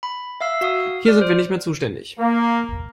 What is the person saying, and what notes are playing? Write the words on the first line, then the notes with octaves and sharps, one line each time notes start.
Hier sind wir nicht mehr zuständig.
B5
E5 F5 E6
F#4 F5 D#6
D5 F6
C5
A#3